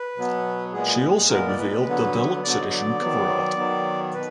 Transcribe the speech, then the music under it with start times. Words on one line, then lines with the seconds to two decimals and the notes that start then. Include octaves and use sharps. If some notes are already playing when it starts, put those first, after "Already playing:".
She also revealed the deluxe edition cover art.
Already playing: B4
0.16 B2 F#3 B3
0.72 A#2 G#3 B3 G#4
1.01 G#4
1.29 A#2 G#3 B3 A#4
1.48 D5
1.58 B4
1.87 D3 F#3 B3
2.43 D3 F#3 B3 D5
2.61 D#5
2.72 D5
3.01 D#3 F#3 B3
3.57 D#3 F#3 B3
4.13 B2 B4